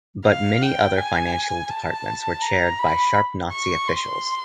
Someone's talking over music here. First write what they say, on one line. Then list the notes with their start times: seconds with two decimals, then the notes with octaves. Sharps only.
But many other financial departments were chaired by sharp Nazi officials.
0.25 F5
0.61 G5
0.97 G#5
1.70 A5
2.42 A#5
2.79 B5
3.52 C#6
3.88 C6